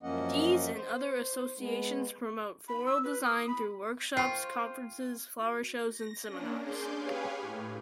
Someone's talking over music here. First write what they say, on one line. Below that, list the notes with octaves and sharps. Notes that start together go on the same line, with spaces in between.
These and other associations promote floral design through workshops, conferences, flower shows, and seminars.
F#2 F3 A#3 C#4 D#5 F#5
C5
G#3 B3
B5
E6
B4
D#6
B5
F4 C5 G5 C#6 C7
A#6
A#3 C#4 D4
C#4 D4 G#4 C6 D6 G6
G4 G#4 B4 C#5 F5 G#5
A2